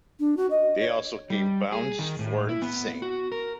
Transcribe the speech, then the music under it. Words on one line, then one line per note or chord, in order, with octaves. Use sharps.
They also gave bounds for the same.
D4
F#4
D#5
C#5
G3
G#4
D#3
A2
E4
B3
F#4
A#4